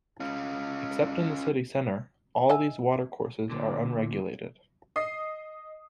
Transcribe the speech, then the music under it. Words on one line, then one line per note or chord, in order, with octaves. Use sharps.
Except in the city centre, all these watercourses are unregulated.
C#4 F4
D#5 E5 G#5
A#2 D3
D#5 D#6 C7